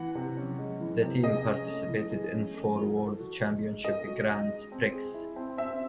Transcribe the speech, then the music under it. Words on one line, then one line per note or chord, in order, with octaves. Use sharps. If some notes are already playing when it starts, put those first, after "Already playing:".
The team participated in four World Championship Grands Prix.
Already playing: E3 F#5
C3
C#4
G#3
E3
C3
G#4 D#5
C#4
A3
E3
G#4
C#4
A3
E3
A4
F#4
D#4
G#3
A4 D#5
F#4
D#4
G#3
C4
G#4
E4
C4
C4 E5